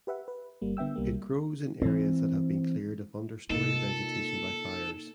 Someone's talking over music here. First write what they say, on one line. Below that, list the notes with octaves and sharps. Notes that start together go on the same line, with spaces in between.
It grows in areas that have been cleared of understory vegetation by fires.
G4 B4 E5 F#5
B4
G1 G3 A#3
D3 B3 E5 G5 E6
C2 G3 A#3
E3 C4
C3 A#3 D#4 F4 A4